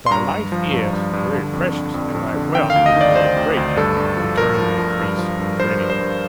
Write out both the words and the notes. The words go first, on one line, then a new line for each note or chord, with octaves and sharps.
'Thy life is, very precious, and thy wealth is very great,' returned the priest, grinning.
C6
G2 A#5
G2
F3
G2
G2
G2
D3
F2
D3
F2
F2
D3
D#3 G5
F5
D2
D#5
D#3 D5
D2 C5
D2
D2
G2 A4
G2
F3
F3 A#4
F3
F3
G2
F3
G2
G2 C5
G2
C5
G2